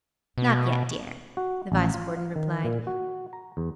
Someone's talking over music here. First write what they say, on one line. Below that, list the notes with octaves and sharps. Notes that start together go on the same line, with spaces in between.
"Not yet, dear," the Vice-Warden replied.
B2
F#4
A1
F4
F5
D#3
A#2
F#4
A#5
E2